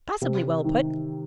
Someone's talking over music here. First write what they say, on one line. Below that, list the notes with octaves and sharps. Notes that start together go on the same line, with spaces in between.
"Passably well put."
C3
D#3